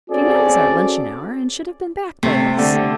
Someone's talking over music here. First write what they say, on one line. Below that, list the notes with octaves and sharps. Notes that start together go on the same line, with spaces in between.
She knows our luncheon hour, and should have been back by this.
C4 C#4 F#4 G#4 A4 D5
C3 A3
D3 A3